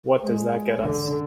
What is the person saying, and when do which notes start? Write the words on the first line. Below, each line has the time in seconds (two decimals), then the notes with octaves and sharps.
What does that get us?
0.21 G#3
0.80 D3